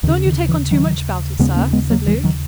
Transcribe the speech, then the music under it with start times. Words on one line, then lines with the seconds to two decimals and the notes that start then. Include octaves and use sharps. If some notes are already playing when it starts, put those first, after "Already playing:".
"Don't you take on too much bout it, sir," said Luke.
0.03 D#2 D#3
0.07 C#3
0.26 D#3
0.48 E3
0.71 D#3 F#3
1.39 D#2 C#3 G#3 B3
1.56 A#3 C#4
1.73 G#3 B3
1.90 F#3 A#3
2.07 E3 G#3
2.24 D#3 F#3